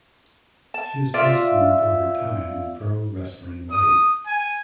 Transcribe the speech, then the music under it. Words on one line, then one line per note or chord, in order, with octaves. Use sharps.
She is best known for her time in Pro Wrestling Wave.
A5
F4 D5 E5 F5
D#6
G#5